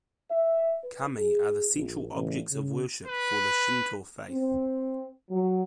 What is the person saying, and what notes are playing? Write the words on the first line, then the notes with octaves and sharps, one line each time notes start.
Kami are the central objects of worship for the Shinto faith.
E5
B4
G#4
A#1
A1
C#3
B4
C4
F#3